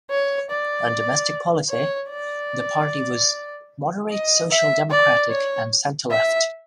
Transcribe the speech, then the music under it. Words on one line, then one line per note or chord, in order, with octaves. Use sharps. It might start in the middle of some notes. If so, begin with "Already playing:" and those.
On domestic policy, the party was moderate social-democratic and centre-left.
C#5
D5
C#5
D5
D#5
E5
D5
C#5
E5